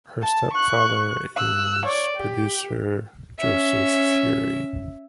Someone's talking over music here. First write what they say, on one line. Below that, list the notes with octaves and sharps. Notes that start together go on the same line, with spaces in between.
Her stepfather is producer Joseph Feury.
A5
C#6 F#6
E6 F#6
C#5 D5
G4
C#4 E5